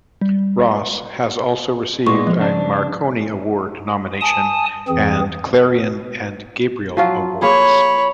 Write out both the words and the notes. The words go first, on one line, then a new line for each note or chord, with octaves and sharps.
Ross has also received a Marconi Award nomination and Clarion and Gabriel Awards.
G3
A#2 G#3 B3 C#6
F3
C#3 D4
G#5 A5 D#6
F2 E3 C4 G#4
F3 F#3 F4
A#3 G#4 C#5 B5